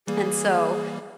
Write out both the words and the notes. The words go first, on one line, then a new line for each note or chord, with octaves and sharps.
and so
E3 G3 A#3 G#4